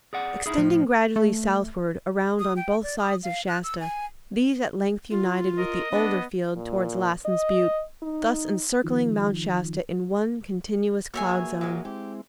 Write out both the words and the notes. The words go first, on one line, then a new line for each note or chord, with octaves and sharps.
Extending gradually southward around on both sides of Shasta, these at length united with the older field towards Lassen's Butte, thus encircling Mount Shasta in one continuous cloud zone.
G#4 D5 F#5
D#4 E4 G#4
A2 F3
A3
D#6
G5
D5
D#6
F5
F#6
E6
G#5
F4
A#4 D#5
B3 D4
A#2
D#5
D#4
D#3 F3
B2 A#3 F#4 G#4 C#5 E5 G#5
A#2 F#3 G#3
G#3 C4 E4 G4